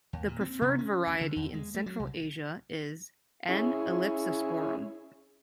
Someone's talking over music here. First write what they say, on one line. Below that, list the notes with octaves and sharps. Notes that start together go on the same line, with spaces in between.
The preferred variety in Central Asia is "N. ellipsosporum".
D#2
A#2
C4
C3
C#4
D2
D3
E2
G#3
A3
F#3
C2
C#4 E4 G#4